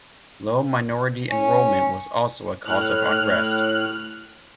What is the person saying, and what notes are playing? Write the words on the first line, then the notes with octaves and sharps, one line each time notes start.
Low minority enrollment was also a cause of unrest.
C#4
A2 F6 F#6